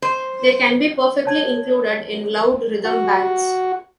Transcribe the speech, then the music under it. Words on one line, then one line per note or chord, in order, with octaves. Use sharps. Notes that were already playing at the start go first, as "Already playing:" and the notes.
They can be perfectly included in loud rhythm bands.
C5
C#5 A5 G#6
F#4